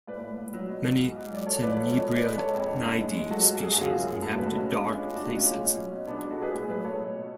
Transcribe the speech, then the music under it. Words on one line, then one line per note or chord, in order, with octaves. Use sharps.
Many Tenebrionidae species inhabit dark places.
A2 B4 D5
A2
A2
F#3
B2
B2
G#2
G#2
F#3 D5
G#2 A4 C#5
F3 B4 D5
G#2 A4 C#5
B2 A4 C#5
B2
B4 D5
G#3
G#3 A4 C#5
F2
D3
A2
G#3
G#3
F#3 F#4 A4
G#2
A4
G#2 G#4
F#4
F#2 F4 G#4
F#2
F#2
A2 F#4 A4
A2 B4
F#4 A4
G#3
C#4
G#3 B3 D4
G#3
C#4 F4
G#3
A2 D4 F#4
G#3
C#4 F4
A2
B2
F#3
B2
G#3 B3 D4
G#3 D4 F#4
F#4 A4
B2 G#4 B4
A2 G#4 B4
F#3 G#4 B4
A2 A4 C#5
B2
B2